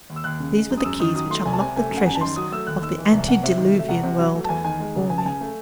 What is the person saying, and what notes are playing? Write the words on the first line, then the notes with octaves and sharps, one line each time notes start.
These were the keys which unlocked the treasures of the antediluvian world for me.
D#2
E6
D#2 F#6
C#3
G#3
F#2
D#6
F#2 E6
D#3 D#6
F#3 D#6
A3 C6
C2 G#5
A5
C3 G#5
A3 G#5
F#2
F#5
F#2 G#5
A5
D#3 C6
F#3 D#6
A3 E6
D#2 F#6
D#3 E6
E3
C2 E5
C2 F#5
C3 E5
D#3
A3
E5
C2 F#5
C3
F#3
A3
A5
E2 G#5
D#3 G#5
G#3
C#2
C#2 G#5
A5
C#3 G#5
A3